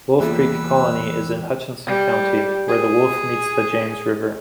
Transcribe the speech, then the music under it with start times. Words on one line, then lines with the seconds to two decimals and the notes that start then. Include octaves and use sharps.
Wolf Creek Colony is in Hutchinson County, where the Wolf meets the James River.
0.20 E2 G3 A#3 F4 G#4 B4 E5 E6
1.86 G3
2.68 G#4